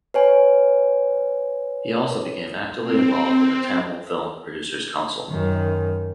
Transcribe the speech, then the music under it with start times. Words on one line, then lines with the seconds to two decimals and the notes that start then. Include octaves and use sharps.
He also became actively involved in the Tamil Film Producers Council.
0.14 B4 C#5 G#5
2.82 C4
5.29 F#2 D#3